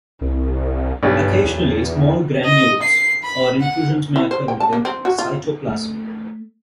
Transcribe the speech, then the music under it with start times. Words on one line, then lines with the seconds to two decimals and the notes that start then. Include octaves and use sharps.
Occasionally, small granules or inclusions may occur in the cytoplasm.
0.21 C2
1.03 B1 G2 G3
1.44 E2
2.45 D#5
2.82 C7
3.23 B5
3.61 F#5
4.16 E4
4.31 C5
4.48 G5
4.60 A5
4.73 A#3
4.85 C4
5.05 F#4
5.18 F4
5.69 A3